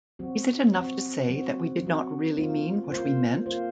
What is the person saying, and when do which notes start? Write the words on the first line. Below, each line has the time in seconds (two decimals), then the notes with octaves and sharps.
Is it enough to say that we did not really mean what we meant?
0.19 F#3 C4 F#4
0.74 F#3 C4 F#4
1.29 F#3 C4 F#4
1.82 F#3 C4 F#4
2.38 A#3 F4 C5
2.91 A#3 F4 C5
3.46 A#3 F4 C5